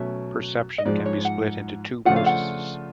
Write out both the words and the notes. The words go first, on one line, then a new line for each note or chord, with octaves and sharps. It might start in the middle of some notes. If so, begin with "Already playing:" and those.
Perception can be split into two processes.
Already playing: B2 F#3 A3 C#4 E5
D#5
G#2 F3 G#3 D5
C#5
F#5
C#3 F3 A3 D4 F4 F#5
F5
F#5